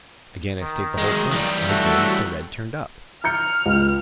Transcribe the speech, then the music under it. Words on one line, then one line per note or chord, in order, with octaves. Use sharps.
Again I staked the whole sum, and again the red turned up.
D#3
F#3 G#3
E3 G3
A3 F#4 A4
A#5 F6 G6 C#7
C#2